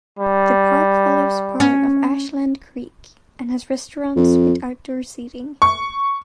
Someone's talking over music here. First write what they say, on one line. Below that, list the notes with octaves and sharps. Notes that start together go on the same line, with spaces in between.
The park follows part of Ashland Creek and has restaurants with outdoor seating.
G3
C#4
F2
C#6